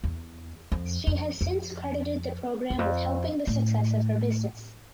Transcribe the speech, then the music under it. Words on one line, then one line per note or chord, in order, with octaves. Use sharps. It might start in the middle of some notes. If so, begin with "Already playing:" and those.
She has since credited the program with helping the success of her business.
E2
F2
F2
F2
E2
F2
A2